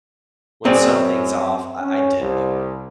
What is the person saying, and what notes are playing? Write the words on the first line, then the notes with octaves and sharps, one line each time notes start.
when something's off, I I dip.
F#2 C4 G#4 D5
C#4
C2